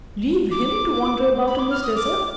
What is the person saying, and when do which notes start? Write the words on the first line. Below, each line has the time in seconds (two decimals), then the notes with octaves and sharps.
Leave him to wander about in this desert!
0.51 D6
1.48 B5
1.59 D6
1.71 F6
1.83 D#6
1.95 D6